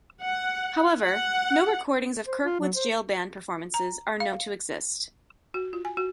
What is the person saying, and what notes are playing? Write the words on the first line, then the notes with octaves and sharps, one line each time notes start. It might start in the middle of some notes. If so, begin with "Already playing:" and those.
However, no recordings of Kirkwood's jail band performances are known to exist.
F#5
F#5
C5
F4
F#3
C5
A#5
F5
F#4
F4
G#5
F#4